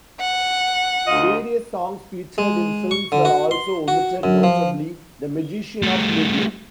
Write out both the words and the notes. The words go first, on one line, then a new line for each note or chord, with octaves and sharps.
Various songs featured in films were also omitted, notably "The Magician Of Lublin".
F#5
D2 F4 D#5
G#3
C#6
D3
F#4
C6
F#4
F#2
F3
G3 A3